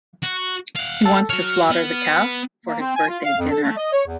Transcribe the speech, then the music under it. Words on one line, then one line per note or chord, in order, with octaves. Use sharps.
He wants to slaughter the calf for his birthday dinner.
F#4
F5 F#5
A4
F#4 C#5 F6
B3
A#3
C4
G#5
F4
F5
F2
A4
A3
D#5
C#5
E2